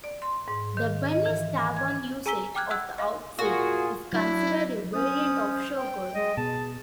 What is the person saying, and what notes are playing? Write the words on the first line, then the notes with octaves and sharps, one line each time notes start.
The Bunny's Tavern usage of the outfit is considered a variant of Showgirl.
D5
C6
G#2
D#3
D#5
E3
G#5
G#6
G#4 G#5 A#5 E6 B6 G7
G5 D6 F6 F#6 G#6
F#5 E6 F#6 G#6
D#5 F5
A#2 F4 F#4 G#4
F#3 D4 E4
C#4 C5 D#6
G5
G#3 D#5
B2 G#4 A5